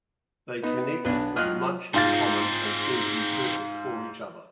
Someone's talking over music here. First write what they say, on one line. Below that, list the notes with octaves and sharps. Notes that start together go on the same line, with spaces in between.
They connect with much in common and seem to be perfect for each other.
B3 D#4
B1 B3 D4 B4
F#3 F4 D#5 F6 F#6
G#2 C4 D#4 F4 A6